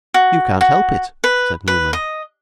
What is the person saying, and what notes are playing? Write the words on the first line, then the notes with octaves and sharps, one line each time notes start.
'You can't help it,' said Newman.
F#4
F#4
B4
B4
D#5